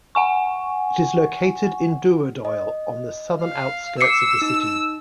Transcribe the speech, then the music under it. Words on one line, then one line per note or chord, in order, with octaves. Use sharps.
It is located in Dooradoyle, on the southern outskirts of the city.
F#5 G#5 C#6
D#5
F5
D6 E6 C7 C#7
D#4